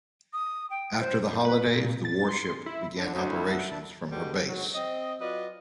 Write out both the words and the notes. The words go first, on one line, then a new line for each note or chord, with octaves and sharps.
After the holidays, the warship began operations from her base.
D#6
G5
C5
B4
A#2
A6
C6
E4
D3 D4
D2 F#3 D4 F#4
E4
E5 F#5
D4 E5 A5
G#2 B2 D3 D#3 G3
D2 G#2 F#3
C4 D#5
F#3 F4 B4 D5 D#5